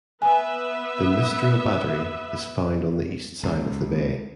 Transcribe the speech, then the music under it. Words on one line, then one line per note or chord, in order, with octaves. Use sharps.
The Mistra Battery is found on the east side of the bay.
B3 B4 E5 G#5
C#2